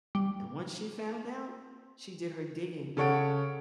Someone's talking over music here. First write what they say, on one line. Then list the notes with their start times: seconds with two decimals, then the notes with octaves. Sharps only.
and once she found out, she did her digging
0.15 G3
2.97 C#3 A4 C#5 F#5 D7